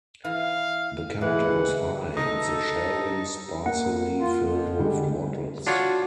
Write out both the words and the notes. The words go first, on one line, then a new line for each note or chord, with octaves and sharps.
The counter was high and the shelving, sparsely filled with bottles.
E3 F5
E3 G#3 F#5
D#4 A4
A#3 F#5
F4
F2
D3 G3 G#3
D4 F4 F#4 C#5